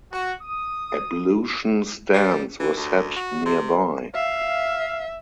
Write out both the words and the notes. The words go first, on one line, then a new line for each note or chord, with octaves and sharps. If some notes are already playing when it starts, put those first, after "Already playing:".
Ablution stands were set nearby.
F#4
D#6
G3
E3
D2
F#4
C3
E5 F5